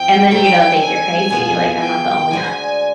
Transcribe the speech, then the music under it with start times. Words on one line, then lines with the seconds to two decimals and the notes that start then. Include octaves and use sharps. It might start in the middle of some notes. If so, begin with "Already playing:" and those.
And then you don't think you're crazy, like, I'm not the only, o
Already playing: G#2 F3 C4 G5
0.31 D#2 D#3 G3 C4 D#4 G5
0.80 G#5
1.30 B2 B3 F4 G#4
1.80 G5
2.31 D2 D3 G#3 G#5